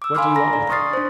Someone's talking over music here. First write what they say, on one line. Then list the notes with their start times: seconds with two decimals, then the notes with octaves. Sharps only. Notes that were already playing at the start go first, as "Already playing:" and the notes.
"What do you want with him?"
0.02 D6 E6
0.15 F5 G#5 B5 C6 D6 F6
0.35 A#5 A#6
0.53 D5
0.69 C6 C#6 D#6 F6 A6 C7
0.93 D4 C5